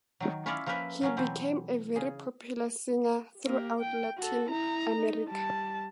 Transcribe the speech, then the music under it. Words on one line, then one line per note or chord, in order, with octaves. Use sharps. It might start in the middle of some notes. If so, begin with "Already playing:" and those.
He became a very popular singer throughout Latin America.
D#3 F#3
C#4 E4 F4 C#5 D5 E5
F3 A#3 C#4 A#4 B4 E5
C#3 F#3 C#4
B2 E3 F#3 C4
C#3 G#4
A#3 G4
G5
F#4 A4
E4 A#5
D#4
G3 A5